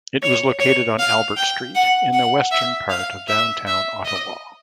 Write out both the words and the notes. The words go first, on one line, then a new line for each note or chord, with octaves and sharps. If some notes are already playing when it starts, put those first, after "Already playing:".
It was located on Albert Street in the western part of downtown Ottawa.
C#5
C#5
F5
G5
F#5
F#5
E5
F5
E5
E5
D#5